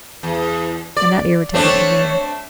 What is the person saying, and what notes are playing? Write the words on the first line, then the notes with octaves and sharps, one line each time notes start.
And that irritated Levin.
E2
D5
A3 C4 D4 C#5